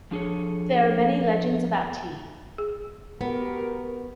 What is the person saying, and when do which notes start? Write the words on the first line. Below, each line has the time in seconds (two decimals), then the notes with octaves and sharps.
There are many legends about tea.
0.11 F3 D4 G#4 A4 C#5
2.58 G#4
3.21 B3 F#4 G4 A#4